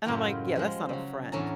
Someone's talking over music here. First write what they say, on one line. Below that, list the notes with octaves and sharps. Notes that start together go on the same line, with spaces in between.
And I'm, like, "Yeah, that's not a friend."
F#2 A2 C#3 G#3 F4 G5
F3 G3 G#3
C#3 F#3
E2 A2 C#4 D4 A5 A#5